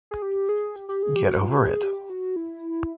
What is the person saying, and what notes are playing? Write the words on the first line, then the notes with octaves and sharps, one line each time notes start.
Get over it.
G#4
G4
G#4
G4
G4
G#4
G4
F#4
F4
G4
G#4
G4
F#4
E4